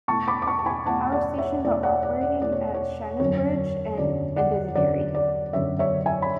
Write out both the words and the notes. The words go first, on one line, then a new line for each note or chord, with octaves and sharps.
Power stations are operating at Shannonbridge and Edenderry.
B2 A3 E4 A5 C#6
B5 D6
D6
A5 C#6
A5
G#5 B5
B2 A3 E4 F#5 A5
D5 F#5
C#5 E5
B2 A3 E4 D5
D5 F#5
D5
D5
B2 A3 E4 D5
C#5
C#5
F#2 D3 F#3 C#4 C#5
F#2 D3 F#3 C#4 D5
D5 F#5
F#2 D3 F#3 C#4 D5
D5
F#2 D3 F#3 C#4 C#5 E5
C#5 E5
E5 G#5
B5